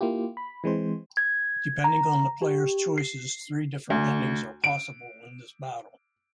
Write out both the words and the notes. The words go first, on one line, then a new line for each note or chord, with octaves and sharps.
Depending on the player's choices, three different endings are possible in this battle.
A#3 E4 F4 G4
B5
E3 G#3 C4 C5
G#6
A#5
G4
C7
D2
D7